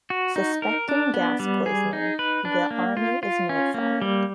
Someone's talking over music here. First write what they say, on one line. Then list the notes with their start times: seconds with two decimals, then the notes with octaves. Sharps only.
Suspecting gas poisoning, the army is notified.
0.10 F#4
0.36 D#4
0.62 A#4
0.89 D4
1.14 B3
1.40 G3
1.66 G#4
1.93 D#4
2.19 B4
2.45 D4
2.71 A#3
2.97 F4
3.23 F4
3.49 C#4
3.74 A#3
4.02 G3